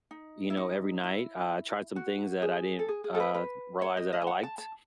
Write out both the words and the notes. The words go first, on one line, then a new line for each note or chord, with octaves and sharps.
you know, every night. I tried some things that I didn't, uh, realize that I liked,
D#4
E4
D#4
E4
F#4
G#4
A4
G#4
G#4
A4
B4
B4
C#5
D#5
D#5
G#5
F#5
A5
A5